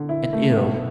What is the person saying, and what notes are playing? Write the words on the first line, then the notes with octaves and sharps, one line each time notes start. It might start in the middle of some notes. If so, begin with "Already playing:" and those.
And ill....
Already playing: D3
E4
A3
B1